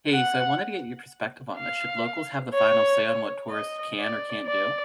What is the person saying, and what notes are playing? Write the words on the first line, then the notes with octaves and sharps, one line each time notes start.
Hey, so I wanted to get your perspective on this. Should locals have the final say on what tourists can or can't do?
F#5
F5
C#5
D#5
D5
D5